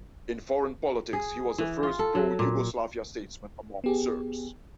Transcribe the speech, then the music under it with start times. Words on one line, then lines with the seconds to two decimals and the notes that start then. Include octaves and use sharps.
In foreign politics, he was the first pro Yugoslavia statesman among Serbs.
1.13 G#4
1.58 E3
1.83 F4
1.99 A4
2.15 F#3
2.39 A#2
3.84 B3 G4 G#4